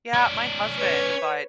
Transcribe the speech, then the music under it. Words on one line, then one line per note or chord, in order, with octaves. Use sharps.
Yeah, my husband, but
C#4 D5
B4 C#5